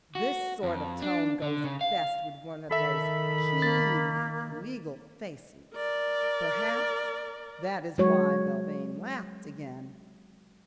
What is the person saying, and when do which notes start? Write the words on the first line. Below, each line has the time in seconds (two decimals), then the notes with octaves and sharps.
This sort of tone goes best with one of those keen legal faces; perhaps that is why Belvane laughed again.
0.15 F#4
0.63 F2
1.02 D4
1.42 D3
1.64 C#3
1.81 F5
2.71 D#3 A4 E5 B5
3.62 A#3 A6
5.75 A#4 D5
7.98 F#3 G#3 F#4 C#5